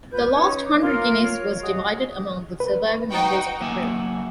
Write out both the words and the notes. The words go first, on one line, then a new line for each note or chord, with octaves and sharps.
The last hundred guineas was divided among the surviving members of the crew.
F4 B4 G6
C#4 D#4 C#5 D#5
D6
F4 A#4 F5 C6
C#5
F#4 G#4 D#5
B4
D#4 F#4 G5
F#3 A#3 E5 F#5 G#5